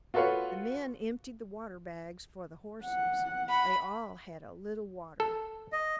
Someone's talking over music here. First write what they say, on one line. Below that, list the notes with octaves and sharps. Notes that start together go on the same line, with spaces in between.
The men emptied the water-bags for the horses; they all had a little water.
F4 F#4 A4 B4 C#5 F5
F#5
B5
A4
D#5